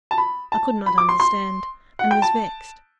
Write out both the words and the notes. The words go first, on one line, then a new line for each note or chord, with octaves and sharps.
I could not understand, and was vexed.
A5
B5
A5
B5
D6
C6
C6
F#5
G5
A5